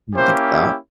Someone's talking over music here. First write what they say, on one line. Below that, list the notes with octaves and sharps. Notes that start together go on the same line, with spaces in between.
didn't think of that.
A#3 C#4 E4 G4 C5